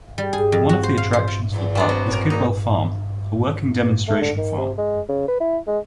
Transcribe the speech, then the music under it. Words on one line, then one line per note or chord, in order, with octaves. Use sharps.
One of the attractions of the park is Kidwell Farm, a working demonstration farm.
G3
G#4
F2
F#4
C5
F5
C5
F4
E2 A2
F#3 B3 D4
B2 C4 F#4
C#4 A#4
E2 A#3 D#4
A3
D3
D#3
C3
G#3
C#3
B4
E4
G#3